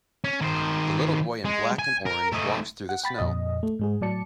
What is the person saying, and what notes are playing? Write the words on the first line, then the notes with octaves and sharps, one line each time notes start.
The little boy in black and orange walks through the snow.
C#4
D#3 C5
G#3
G#5
A#4
A3 D#4
F#5
G5 B5 A6 B6
F2 A#2 D#5
A3
G#2 G#3 G#4
A2 F#3 D5 A5 C#7